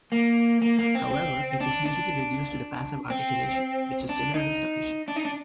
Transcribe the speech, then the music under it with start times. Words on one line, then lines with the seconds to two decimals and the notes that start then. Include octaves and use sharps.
However, it is usually reduced to the passive articulation, which is generally sufficient.
0.12 A#3
0.62 A#3
0.79 A#3
0.95 C4
1.11 C4
1.60 D4
1.86 D4
3.10 C4
4.09 D4
4.34 D#4
5.08 D4
5.16 D#4
5.25 D4